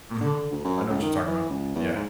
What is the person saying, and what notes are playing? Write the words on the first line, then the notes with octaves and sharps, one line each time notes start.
Mhm. I know what you're talking about. Yeah.
D3
D2
F#2
C#2
D#3
E3
C#2
E2
G#2